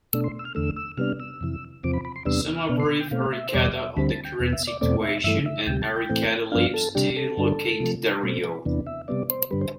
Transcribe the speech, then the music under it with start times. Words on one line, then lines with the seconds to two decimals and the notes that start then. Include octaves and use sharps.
Soma briefs Arikado on the current situation, and Arikado leaves to locate Dario.
0.13 B2 A3 D4 E6
0.24 C6
0.39 E6
0.45 F6
0.55 E2 D3 A3 E6
0.77 E6
0.98 C3 G3 B3 D4 F6
1.20 E6
1.41 F2 C3 E3
1.83 E2 C3 F3 C4 D6
1.93 B5
2.05 B5
2.16 C6
2.25 E2 C3 G3 B3 D4 E6
2.48 F6
2.69 B2 B3 D4 F6
2.80 C6
2.91 B5
3.00 G5
3.11 B2 A3 C4 F5
3.33 E5
3.49 C5
3.54 E2 B2 G3 D5
3.75 E5
3.97 D2 D3 G3 C4 B5
4.11 A5
4.25 G5
4.40 E2 B2 B3
4.53 E5
4.67 D5
4.81 E2 B2 A3 C4 D5
5.03 E5
5.24 G2 E3 A3 E5
5.46 E5
5.66 D2 C3 G3 G5
5.82 A5
5.96 G5
6.09 A2 E3 A3 C4
6.52 G2 F3 B3 D4 F5
6.74 A4
6.95 C3 G3 D4 G4
7.17 A4
7.37 G2 D3 G3 D4
7.80 C3 F3 A3
8.23 B2 A3 C4
8.44 B4
8.65 E2 C3 E3 B3 D4
8.86 E5
9.08 C3 G3 B3 D5
9.30 C5
9.51 G2 D3 G3 B4
9.61 C5